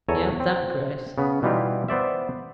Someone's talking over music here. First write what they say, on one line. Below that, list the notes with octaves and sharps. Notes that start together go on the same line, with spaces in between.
He had that grace.
E2 A4 C#5 G#5 A#5
C4
C#3 B3
B2 E3 G3 D#4 F4 G4
B3 C5 D5 E5